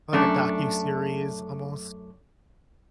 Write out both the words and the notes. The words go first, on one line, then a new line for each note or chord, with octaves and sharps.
Like, a docuseries almost?
F#2 A3 C#4 D4